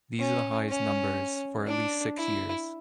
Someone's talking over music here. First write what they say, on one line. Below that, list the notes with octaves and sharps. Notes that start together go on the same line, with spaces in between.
These are the highest numbers for at least six years.
C#4
C#4
D4
E4